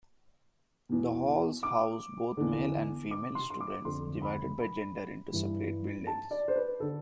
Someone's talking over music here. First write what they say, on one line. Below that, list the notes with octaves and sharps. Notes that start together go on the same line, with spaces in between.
The halls house both male and female students, divided by gender into separate buildings.
E2 B2
D6
E2 D3
D6
C6
C6
D6
F2 D3 C6
B5
B5
G2 E3
A5
D5
C5
B4
D3 A4